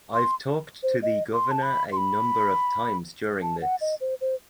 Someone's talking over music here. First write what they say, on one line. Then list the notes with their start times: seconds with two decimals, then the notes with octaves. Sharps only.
I’ve talked to the Governor a number of times during this.
0.14 C6
0.83 C5
1.03 D#5
1.33 C6
1.51 A5
1.63 B5
1.92 C6
1.97 B5
3.42 A5
3.62 F#5
3.81 D#5
4.01 C5
4.21 C5